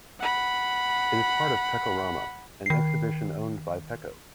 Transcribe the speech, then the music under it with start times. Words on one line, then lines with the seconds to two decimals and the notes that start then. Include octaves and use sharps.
It is part of Pecorama, an exhibition owned by Peco.
0.19 F#5 B5
2.66 D#3 C7